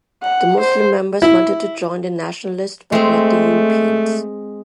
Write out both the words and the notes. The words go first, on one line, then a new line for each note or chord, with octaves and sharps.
The Muslim members wanted to join the nationalists, but not the Europeans.
F#5
C5
E4
G#3 A3 C4